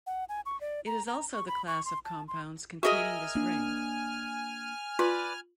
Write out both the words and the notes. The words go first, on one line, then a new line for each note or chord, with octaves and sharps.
It is also the class of compounds containing this ring.
F#5
G#5
C#6
D5
A#5
A#5
C#6
B5
C#6
C6
A5
C6
F#4 G#4 A#4 D#5 E5 G#5 F6
A#3 D4
F4 B4 D5